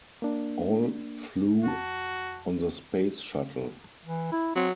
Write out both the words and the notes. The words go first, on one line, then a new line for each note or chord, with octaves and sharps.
All flew on the Space Shuttle.
A#3 D4
F2 F#4 A5
E3
E4
F#3 C4